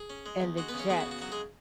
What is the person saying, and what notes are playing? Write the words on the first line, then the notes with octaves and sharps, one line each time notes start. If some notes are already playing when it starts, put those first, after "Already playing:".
and the jets,
Already playing: G#4
C#4
G#3
E2
G#3 F#4
B3 B4
C#3
C#4 C#5
G#3 B3 G#4
E4
F#4
C#3
F#4
F#3 F#4
G#3 G#4